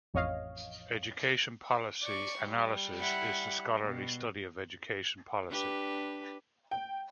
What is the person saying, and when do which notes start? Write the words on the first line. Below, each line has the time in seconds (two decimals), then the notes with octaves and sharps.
Education policy analysis is the scholarly study of education policy.
0.14 A1 F2 C#5 D#5 F5
2.02 D5 C#6
2.41 G3
3.00 E4 F#5
3.84 B2
5.48 D4 G4 B4
6.71 G5